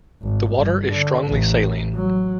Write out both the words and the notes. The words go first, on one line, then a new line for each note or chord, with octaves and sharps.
The water is strongly saline.
G#1
G1
D3
A1
F#3